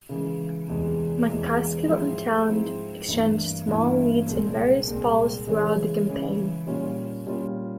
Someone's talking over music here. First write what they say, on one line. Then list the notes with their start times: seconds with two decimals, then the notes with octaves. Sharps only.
McCaskill and Talent exchanged small leads in various polls throughout the campaign.
0.09 C#3 E3 G#3
0.68 E2 C3 E3 G#3
1.28 E2 C3 E3 G#3
1.88 G#2 F3 C4 E4
2.48 G#2 F3 C4 E4
3.08 G2 E3 A#3 E4
3.67 G2 E3 A#3 E4
4.28 C2 A#2 G#3 C4
4.88 C2 A#2 G#3 C4
5.47 C#3 E3 G#3 C#4
6.07 C#3 E3 G#3 C#4
6.67 A#2 G3 C#4 F4
7.26 A#2 G3 C#4 F4